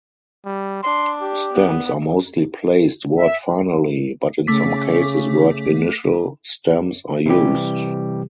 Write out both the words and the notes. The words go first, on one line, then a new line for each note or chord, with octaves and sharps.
Stems are mostly placed word-finally, but in some cases word-initial stems are used.
G3
D4 C6
G4
B3
E5
C#3 A3 D6 B6
C3 E3 G3 G4